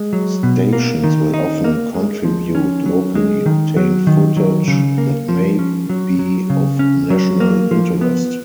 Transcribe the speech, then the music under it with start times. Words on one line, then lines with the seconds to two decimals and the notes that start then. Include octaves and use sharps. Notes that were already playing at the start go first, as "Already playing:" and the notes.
Stations will often contribute locally obtained footage that may be of national interest.
Already playing: G#3
0.13 F#3
0.43 B2
0.73 A#3
1.04 D#3
1.34 D#4
1.64 A#3
1.94 G#3
2.24 F3
2.55 C#4
2.86 F#3
3.15 G#3
3.46 D#3
3.77 F#3
4.07 D#3
4.37 F#3
4.68 C#3
4.98 A#3
5.29 F3
5.59 C#4
5.89 F#3
6.19 F#3
6.50 C#3
6.79 C#4
7.10 F#3
7.40 A#3
7.71 F3
8.01 B3